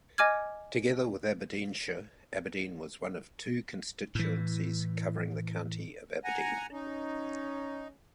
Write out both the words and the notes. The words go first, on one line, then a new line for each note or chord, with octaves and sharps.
Together with Aberdeenshire, Aberdeen was one of two constituencies covering the county of Aberdeen.
D#5 G#5 D6 F6 G#6
A2 E3
F#5 G#5 A#5
C#4 D#4